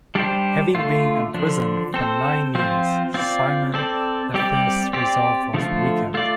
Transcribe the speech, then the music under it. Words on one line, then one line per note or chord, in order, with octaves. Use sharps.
Having been imprisoned for nine years, Simon the First's resolve was weakened.
G3 D4 G4 C5
D3 A3 F4
D3 F3 D4
C4 A4 C5
F3 C4 F4 C5
C4 F4 D5
C4 A4 D5
G3 C4 G4 D5
C4 G4 D5
D3 F3 A3 F4
A3 F4 D5